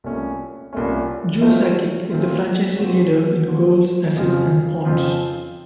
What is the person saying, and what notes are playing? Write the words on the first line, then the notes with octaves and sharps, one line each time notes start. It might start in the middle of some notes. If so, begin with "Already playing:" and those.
Joe Sakic is the franchise leader in goals, assists and points.
C2 A#2 A3 C#4
C2 A#2 A3 C#4
A#2 F#3 A3 C4 F4
A#2 F#3 A3 C4 F4
A#2 F3 C4 F#4
A#2 F3 C4 F#4
F2 C#3 F3 C4 F4
F2 C#3 F3 C4 F4